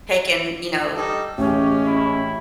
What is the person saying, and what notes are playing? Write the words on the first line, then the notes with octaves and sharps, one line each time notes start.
taken, you know,
G3 D#4 A4
A1 G#3 C#4 G4
E4